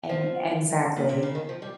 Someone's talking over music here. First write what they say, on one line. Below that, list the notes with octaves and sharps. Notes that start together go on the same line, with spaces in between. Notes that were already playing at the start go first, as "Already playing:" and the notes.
And exactly.
F3
A#2
C3
C#3
D#3
F3
G3